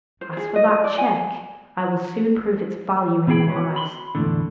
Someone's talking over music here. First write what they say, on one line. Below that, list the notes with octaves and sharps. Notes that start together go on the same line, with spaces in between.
As for that check, I will soon prove its value in your eyes.
C5
G#4
D#5
D#5
D5
G#5
C#2 B3 E4 G#4 G5 B5
F#4 B4 C#5
B5 C6
E2 A2 D3